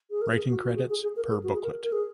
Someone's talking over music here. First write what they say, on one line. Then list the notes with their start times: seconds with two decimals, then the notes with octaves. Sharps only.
Writing credits per booklet.
0.10 G#4
0.21 A#4
0.35 G#4
0.49 F#4
0.63 F#4
0.76 G#4
0.89 G#4
1.03 G#4
1.16 A#4
1.30 G#4
1.43 F#4
1.53 G#4
1.63 A#4
1.83 A#4
1.92 G#4